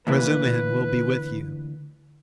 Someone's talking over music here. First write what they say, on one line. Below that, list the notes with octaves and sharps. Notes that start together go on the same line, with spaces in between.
Razumihin will be with you.
D2 A#2 E3 B4